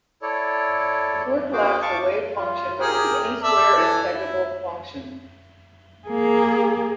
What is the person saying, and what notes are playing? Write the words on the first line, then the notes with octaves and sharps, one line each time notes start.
Before collapse, the wave function may be any square-integrable function.
E4 A4 C#5 D5
A#3 F#4 G#4 C5 D6
F5 A5 C#6 D6
F4
G4 G#4 A#4
A4 D5 E5
E3
E4
A#3 G#4